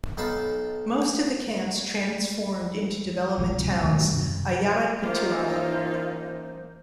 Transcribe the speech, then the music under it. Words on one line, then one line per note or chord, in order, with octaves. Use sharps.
Most of the camps transformed into Development Towns - "Ayarat Pitu'ach".
B1 D#4 F5 A5 B5
D#1 A#1 F3 G#3
F1 C#2
C3
D#2 D#3 F#3 A3
A1 D#3 F#3 G3
F#2 C3
F#2 E3 A#3 D#4 F4 C5